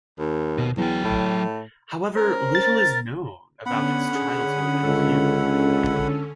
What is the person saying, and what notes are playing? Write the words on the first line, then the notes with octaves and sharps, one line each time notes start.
However, little is known about his childhood and youth.
D#2
B2
E2 F#3 G5
A2
C#4 A#4 C5
A6
D3 B3 C#4 F#5 B5
G#4
C#2 A4